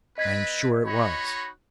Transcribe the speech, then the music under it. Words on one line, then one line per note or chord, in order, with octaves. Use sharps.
I am sure it was.
C4 B4 D#5 G#6 B6
D#4 F#4 C#5 B5